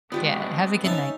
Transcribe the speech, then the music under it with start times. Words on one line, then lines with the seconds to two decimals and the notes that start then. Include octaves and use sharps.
Yeah, have a good night.
0.12 G#3 B3 C4 D4 F#4 G4 D5
0.84 C#4 D#4 E5 A5